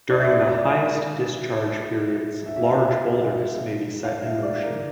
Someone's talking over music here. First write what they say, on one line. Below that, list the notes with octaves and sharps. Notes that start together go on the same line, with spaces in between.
During the highest discharge periods large boulders may be set in motion.
D5
E5
D5
D5
E5
E5
E5
F5
F5
E5
E5
F5
E5
D5
A#4